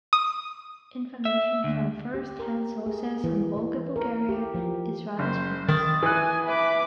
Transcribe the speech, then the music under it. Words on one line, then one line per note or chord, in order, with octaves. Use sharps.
Information from first-hand sources on Volga Bulgaria is rather sparse.
D#6
E5
D2
G4
A#4
G#4
E3
E3
A#4
G4
F3
F#1 C5
D#3 D#6 A6
E3 G#5 F#6
B4 E5 D6